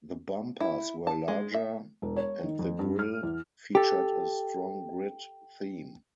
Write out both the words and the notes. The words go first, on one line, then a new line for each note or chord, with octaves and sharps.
The bumpers were larger, and the grille featured a strong grid theme.
E4
A5
G#3
E5
E1
C#5
D#3
F2
G2
F6
E2
G4 A4